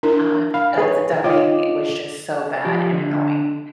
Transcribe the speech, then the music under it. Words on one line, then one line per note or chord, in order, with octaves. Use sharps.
uh, because the dubbing was just so bad and annoying.
D4 E4 A#4
F5 B5
G#4 B4 C#5
F4 C#5 D#5 G5 D6
F3 G4
D3